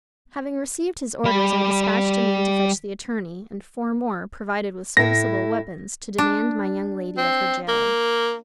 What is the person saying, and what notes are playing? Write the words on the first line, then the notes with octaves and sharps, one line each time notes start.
Having received his orders, I despatched a man to fetch the attorney, and four more, provided with serviceable weapons, to demand my young lady of her jailor.
G3 B5
A2 E4 A#6
D4
C4
A#3